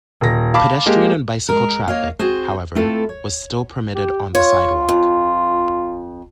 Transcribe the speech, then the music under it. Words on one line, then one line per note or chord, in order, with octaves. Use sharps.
Pedestrian and bicycle traffic, however, was still permitted on the sidewalk.
D#1 A#6
F5 A5 B5 D6
G#3 A#3 G4
G#3 A#4
A#3 C#5 D#5 F5
C4 F#4 G#4 C5
A3 C4 E4 F4 A4 B4
C#5
G4
F4 C#5
F2